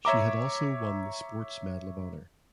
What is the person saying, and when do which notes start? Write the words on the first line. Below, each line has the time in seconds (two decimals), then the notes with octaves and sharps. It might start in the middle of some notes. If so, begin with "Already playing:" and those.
She had also won the Sports Medal of Honor.
0.05 C#5 E5 A#5 D6